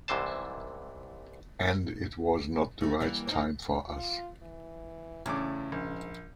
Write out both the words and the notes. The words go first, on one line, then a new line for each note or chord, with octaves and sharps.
And it was not the right time... for us.
C2 G#2 C3 E3 C5 A5
D#3 A3
E3 G3 A#3
D#4 E4 C5
F4
E3
E2 A2 C#3 E4 D6
A#1 G#2